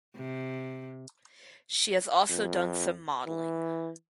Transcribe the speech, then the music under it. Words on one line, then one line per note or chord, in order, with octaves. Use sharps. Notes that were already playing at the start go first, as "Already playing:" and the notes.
She has also done some modeling.
C3
F2
E3